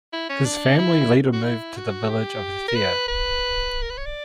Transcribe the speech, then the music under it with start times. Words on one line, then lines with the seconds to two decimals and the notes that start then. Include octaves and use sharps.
His family later moved to the village of Athea.
0.13 E4
0.29 C#4
0.45 D4
0.79 E4
1.33 F#4
1.43 E4
1.77 F#4
2.09 G4
2.68 A#4
2.75 B4
3.08 B4
3.82 A#4
3.90 B4
3.98 C#5
4.05 D5